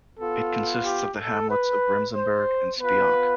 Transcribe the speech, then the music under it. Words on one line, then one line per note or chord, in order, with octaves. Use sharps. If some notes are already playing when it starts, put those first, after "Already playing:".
It consists of the hamlets of Remsenburg and Speonk.
B3 F4 A4
G4
A4
B4
C5
B3 F4 B4